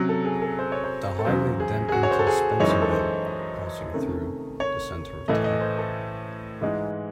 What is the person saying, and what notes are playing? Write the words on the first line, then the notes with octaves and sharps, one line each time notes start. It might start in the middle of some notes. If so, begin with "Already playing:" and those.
The highway then enters Spencerville, passing through the center of town.
Already playing: C3 F#3 C#4
A4
G#4
A4
C5
C#5
C5
A4
E2 C#3 F#3 C5
G#4
G#4
F#4
C#5
C5
A4
G#4
F#2 E3 G#3 D#4 C#5
C5
A4
C5
D#5
C3 D#3 A3 C#4
C#5
A2 E3 A3 D#5
D#5
C5
A4
G#2 E3 G#3 D#4